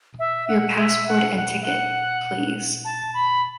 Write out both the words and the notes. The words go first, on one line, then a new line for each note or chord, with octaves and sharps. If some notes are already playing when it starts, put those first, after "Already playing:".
Your passport and ticket, please.
E5
F#5
E5
F#5
F#5
E5
F#5
A5
B5